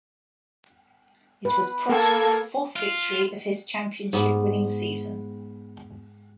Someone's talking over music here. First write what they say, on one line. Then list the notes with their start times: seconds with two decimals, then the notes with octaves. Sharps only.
It was Prost's fourth victory of his championship-winning season.
1.45 B4
1.89 A#3 A4 G#6
2.76 F4
4.13 G#2 B3